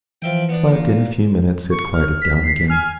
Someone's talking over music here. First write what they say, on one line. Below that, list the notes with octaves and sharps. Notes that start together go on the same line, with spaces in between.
But in a few minutes it quieted down again.
E3 F3 E5 G5
B3 D4
A#2
C#6
F6
B6
C7
G#5 F6